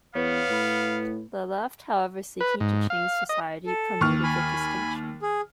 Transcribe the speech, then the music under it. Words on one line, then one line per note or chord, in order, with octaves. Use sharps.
The Left, however, seeking to change society, promoted the distinction.
E2 B3 B4 C#5 F5
A2 B4 B5
B4
G#2
F5
D#5
A4
D#2 C#6 F6
G#5 B5
G#4